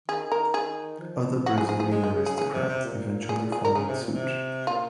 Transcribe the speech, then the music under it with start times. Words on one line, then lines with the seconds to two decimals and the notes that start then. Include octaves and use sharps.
Other Brazilian aristocrats eventually followed suit.
0.08 D#3 G#4
0.32 A#4
0.54 G#4
1.00 F3
1.46 F#4
1.58 G#4
1.69 G#4
1.80 G#4
1.91 G#3
2.04 G#4
2.15 C#3
2.26 G#4
2.38 C#3 G#4
2.54 C3
2.68 C3
2.84 A#2
3.29 G#4
3.52 G#4
3.65 A#4
3.75 C#3 G#4
3.89 C3
4.01 A#2
4.14 C3
4.67 A#2 F4